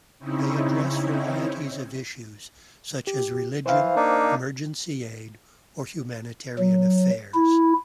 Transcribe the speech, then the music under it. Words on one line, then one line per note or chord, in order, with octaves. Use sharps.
They address varieties of issues such as religion, emergency aid, or humanitarian affairs.
C#3 C4 C#4 D#4 E4
G4
E3 C5 F5
A#3 D4 D#4
F#3
E4